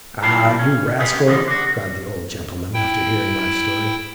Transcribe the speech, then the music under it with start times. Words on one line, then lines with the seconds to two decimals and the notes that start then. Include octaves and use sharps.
"Ah, you rascal!" cried the old gentleman, after hearing my story.
0.22 D3 F#3 G3 E4 F5 A5
0.59 C#4
0.99 C#3 G3 B3 G4 G#4
1.27 B2 D3 E3 F3 G3 G#3
1.48 D4 F#4
2.74 E4 G5